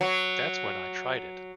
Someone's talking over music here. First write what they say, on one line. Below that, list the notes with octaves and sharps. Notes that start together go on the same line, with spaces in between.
That's when I tried it.
F#3